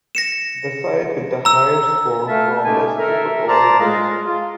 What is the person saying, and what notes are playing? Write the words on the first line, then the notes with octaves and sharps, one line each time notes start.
The side with the higher score from their Super Over wins.
A#6 C#7 E7
A#5 E6
A3 E5 F5 A5
C#3 G#3 A3 D#4 G4 G#5
A4 A#4 E5
C5 D5 A5 A#5
G#3 F4
F4